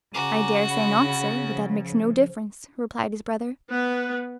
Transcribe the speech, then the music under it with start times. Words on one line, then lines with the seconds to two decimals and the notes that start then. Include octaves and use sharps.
"I dare say not, sir; but that makes no difference," replied his brother.
0.14 C#3 F#4 G#5 A#5 D6
0.69 F#5 B5
1.49 F3
3.70 B3 B4